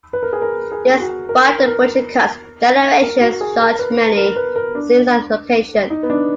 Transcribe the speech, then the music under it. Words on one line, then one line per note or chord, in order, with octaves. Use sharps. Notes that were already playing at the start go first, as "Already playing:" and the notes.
Despite the budget cuts, "Generations" shot many scenes on location.
B4
A#4
G#4
A#4
G#4
G#4
F#4
A#4
A#4
B4
A#4
A#4
A#4
F#4
G#4
A#4
B4
A#4
B4
A#4
D4
D#4
B3
D4